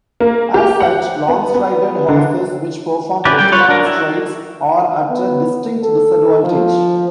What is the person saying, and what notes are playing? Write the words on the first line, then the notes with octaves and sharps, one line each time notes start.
As such, long-strided horses, which perform better on straights, are at a distinct disadvantage.
A#3
G4
F#5
B3
B3
D3
C#4 E4 G4 B4 D5
G3 G5
F4 B4 C#5
D4 A#4
E4 F#4
B3
A4
F3